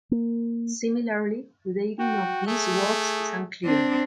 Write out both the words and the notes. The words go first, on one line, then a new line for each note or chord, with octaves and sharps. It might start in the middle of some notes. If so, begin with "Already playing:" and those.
Similarly, the dating of these works is unclear.
A#3
F#4 G5
A3 G#4
C4 D4